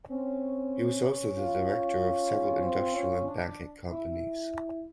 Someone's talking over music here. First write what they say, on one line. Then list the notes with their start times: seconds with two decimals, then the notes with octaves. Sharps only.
He was also the director of several industrial and banking companies.
0.09 C4 C#4
1.36 F4
2.62 C4
2.94 C#4
3.26 D4
3.89 E4